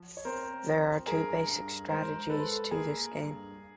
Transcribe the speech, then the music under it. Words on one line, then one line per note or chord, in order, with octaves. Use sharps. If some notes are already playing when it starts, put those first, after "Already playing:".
There are two basic strategies to this game.
Already playing: F3
C#5
C4 A#4 C5
F3
G2 G#4 A#4
G2
G#3 A#4 C5
G#3 A4 B4
A#3 G#4 A#4
G2